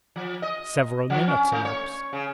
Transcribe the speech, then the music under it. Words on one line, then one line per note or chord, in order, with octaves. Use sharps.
Several minutes elapsed.
F3
D#5
F3
C#4
A3
C#5
C#3